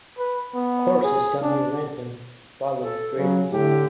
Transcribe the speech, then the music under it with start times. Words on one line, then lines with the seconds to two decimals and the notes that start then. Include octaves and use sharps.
Horses can be rented to follow the trails.
0.19 B4
0.55 B3
1.03 G#4
1.43 D4
2.79 A4
3.17 C#3 F#3
3.51 A2 D3 G4